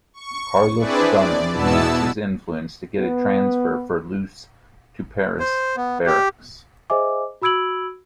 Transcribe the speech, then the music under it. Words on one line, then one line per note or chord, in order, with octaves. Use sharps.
Carolus-Duran used his influence to get a transfer for Luce to Paris barracks.
C#6
C4 D4 E4 G#4 B4 D5
D5
E2 B2 B3 E4 A5 E6
B3
C5
B3
G4
G#4 C5 D#5 E5 G#5 D6
F#4 B5 E6 G#6 D7 F#7